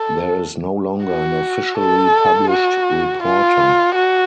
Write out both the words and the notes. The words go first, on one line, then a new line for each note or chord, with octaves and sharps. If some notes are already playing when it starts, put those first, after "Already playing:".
There is no longer an officially published reporter.
Already playing: A4
F#4
A4
F#4
F4
F#4